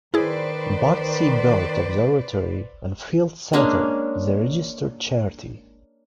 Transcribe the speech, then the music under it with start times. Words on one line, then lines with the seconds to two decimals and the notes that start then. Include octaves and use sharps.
Bardsey Bird Observatory and Field Centre is a registered charity.
0.14 D#3 E4 G#4 B4 C5 D5
3.53 G#3 A#3 C#4 D4